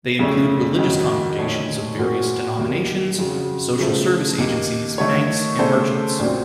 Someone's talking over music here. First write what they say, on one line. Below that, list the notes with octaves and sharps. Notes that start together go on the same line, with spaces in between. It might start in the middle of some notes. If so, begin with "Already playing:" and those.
They include religious congregations of various denominations, social service agencies, banks, and merchants.
F2 C#3 A3 C#4
F2 D#3 F#3
A#2 A3 D#4 A4 C#5
A#2 F#3 C4 F#4 A#4
D#2 D#3 F#3 A#3
F2 C#3 F#3
C#3 F3 A3
D#2 D#3 A#3
D#3 A3 D#4 A4 C#5
C#3 A3 C#4 A4 C5
A#1 A#2 F#3 C4